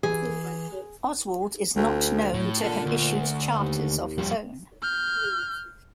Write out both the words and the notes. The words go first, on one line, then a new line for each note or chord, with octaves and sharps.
Oswald is not known to have issued charters of his own.
E3 G#4
D2
A2
A#2 D4 A4
D2
D#2
F2 G3
F6 G6